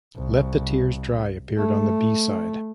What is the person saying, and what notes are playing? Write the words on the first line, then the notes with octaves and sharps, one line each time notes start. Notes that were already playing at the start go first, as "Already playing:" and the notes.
"Let the Tears Dry" appeared on the B-side.
C2
A3